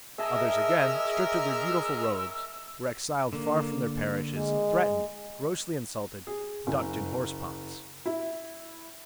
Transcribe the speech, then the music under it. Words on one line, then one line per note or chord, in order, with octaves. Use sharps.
Others again, stripped of their beautiful robes, were exiled far from their parishes, threatened, grossly insulted, ducked in horse-ponds.
C#4 G#4 A#4 D#5 E5 A5 E6
D3 A#3
G#3
G#4
F#1
E4